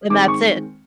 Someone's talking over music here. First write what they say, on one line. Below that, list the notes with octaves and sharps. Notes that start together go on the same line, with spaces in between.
and that's it."
D#3 G#3 C4 D6
C#6